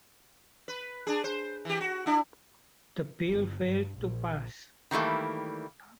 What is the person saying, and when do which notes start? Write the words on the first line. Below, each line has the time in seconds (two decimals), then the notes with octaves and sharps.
The bill failed to pass.
0.68 B4
1.07 D4 G#4
1.24 C5
1.65 E3 G4
1.81 F#4
2.06 D4 E4
3.26 G1
3.62 G2
3.97 A#1
4.91 D#3 E3 G3 A3 A#3